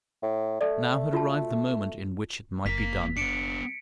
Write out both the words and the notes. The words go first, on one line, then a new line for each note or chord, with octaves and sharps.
Now had arrived the moment in which it might be done.
A2
A3 A4 D5
F4 F#4 A5
F#1 A#3 A#4 B6
B3 D4 C#7 D7